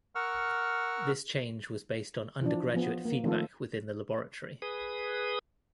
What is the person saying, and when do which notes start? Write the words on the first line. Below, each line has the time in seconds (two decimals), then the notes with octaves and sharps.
This change was based on undergraduate feedback within the laboratory.
0.15 A#4 F#5 C#6 E6 F6
2.42 E3 F3 D4
2.74 F3 B3
3.05 A#3
3.24 D#3 F3 A3 C4 F4 A4
4.62 G#4 B4 D#6